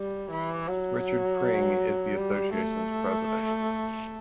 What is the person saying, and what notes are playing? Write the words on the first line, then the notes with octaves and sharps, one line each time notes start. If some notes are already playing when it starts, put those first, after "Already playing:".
Richard Pring is the association's president.
Already playing: G3
E3
F#3
G3
A3